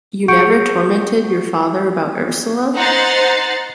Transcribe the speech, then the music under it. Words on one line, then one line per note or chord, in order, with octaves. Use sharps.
You never tormented your father about Ursula?
G#4 F#5 C#6 G6 C#7 D7
D#4 C5 F#5 A#5 A6 C7